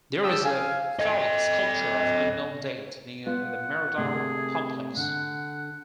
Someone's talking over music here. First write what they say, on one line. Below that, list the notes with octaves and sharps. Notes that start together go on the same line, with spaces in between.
There is a phallic sculpture of unknown date near the Mirador Complex.
F5 G5 A5 D#6 E6
F5 G#5
A4 D#5
B3 F4 F#5
C3 A3 A#3 G#4
D3 F#5